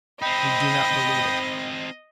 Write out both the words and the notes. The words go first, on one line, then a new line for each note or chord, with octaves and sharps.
We do not believe it.
C4 D#4 D#5 G5 B5 D#6